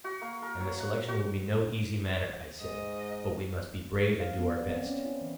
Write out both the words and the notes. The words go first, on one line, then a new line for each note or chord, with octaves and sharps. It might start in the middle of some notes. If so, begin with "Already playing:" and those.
And the selection will be no easy matter, I said; but we must be brave and do our best.
F#4
A#3
A#4
F#3
F#5
F#4
G#2 D#5
F5
B3
D5
C4
C#4
E4
E3